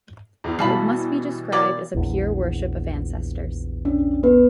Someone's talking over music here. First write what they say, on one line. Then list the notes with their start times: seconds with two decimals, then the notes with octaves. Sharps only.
It must be described as a pure worship of ancestors.
0.44 E2
0.59 B2 E3 G3 F5 A5 B5
1.52 A#3 G4 D5
1.94 A#1 E2
3.85 C#4 D4
4.23 B3 B4